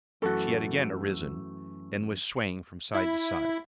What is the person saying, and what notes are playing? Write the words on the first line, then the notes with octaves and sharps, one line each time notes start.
She had again arisen and was swaying from side to side.
F#2 E3 A3 F#4 A4
E4